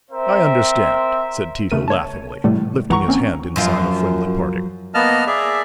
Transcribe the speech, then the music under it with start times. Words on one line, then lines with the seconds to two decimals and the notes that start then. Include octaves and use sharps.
"I understand," said Tito, laughingly, lifting his hand in sign of friendly parting.
0.11 C4 A#4 C5 E5
1.71 C#3 A3 A#4 D#7
1.88 C#5 A5
2.44 A2 C3 E3 G3 A3
2.89 A1 E3 F#5 A#5 C#6
3.08 A#3 C4 C#4
3.56 F#2 F3 F4
4.94 A#3 B3 D#5 A5 F6
5.27 G#4 D5 E5